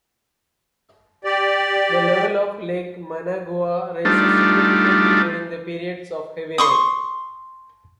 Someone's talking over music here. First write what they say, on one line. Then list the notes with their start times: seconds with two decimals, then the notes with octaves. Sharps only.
The level of Lake Managua raises significantly during the periods of heavy rain.
1.24 G4 D5
4.05 G3 A3 D4 D#4 F4
6.58 C6 C#6 D#6